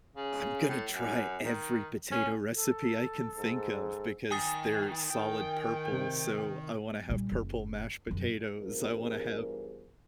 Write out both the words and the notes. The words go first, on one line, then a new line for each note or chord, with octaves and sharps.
I'm gonna try every potato recipe I can think of, because they're solid purple. So, I wanna have purple mashed potatoes, I wanna have
C#3
A2
F#2
D#3
C#4
A4
G#2
D#3 G#5 D#6 A6
D#3 G5
C3
A#2 G3
F#1
E1 F#2
E2 G2 F3 G3 G#4 A#4